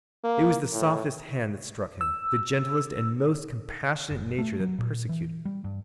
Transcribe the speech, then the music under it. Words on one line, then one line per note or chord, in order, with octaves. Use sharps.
It was the softest hand that struck him, the gentlest and most compassionate nature that persecuted him.
A#3
A2
E6
F#1
A3
F#3
A#2
E3
G3
G2